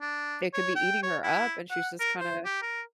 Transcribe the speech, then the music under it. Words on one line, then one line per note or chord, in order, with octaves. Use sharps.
it could be eating her up, and she's just, kinda
D4
C#5
G5
C#5
E4
F#5
A#4
C5
G4
A#4